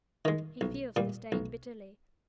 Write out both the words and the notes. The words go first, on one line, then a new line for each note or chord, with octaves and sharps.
He feels the stain bitterly.
D#3 G#3
B1
A#2 G3
B1